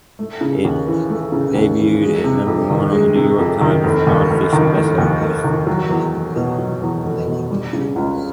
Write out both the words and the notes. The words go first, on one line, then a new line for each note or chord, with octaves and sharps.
It debuted at number one on the "New York Times" nonfiction bestseller list.
A3
C#3
D#2
E3
A3
C#3
D#2
E3
G#3
C3
F2
D#3
G#3
C3
F2
D#3
F1
D#2
F1
D#3
F1
D#2
F1
D#3
F#3
E2
F1
B2
F#3
E2
F1
B2
G3
C#3
C#2